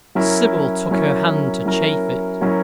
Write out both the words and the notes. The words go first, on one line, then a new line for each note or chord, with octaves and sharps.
Sybil took her hand to chafe it.
F#3 C#4 E4 A#4
F#3 C#4 E4 A#4
F#3 C#4 E4 A#4
F#3 C#4 E4 A#4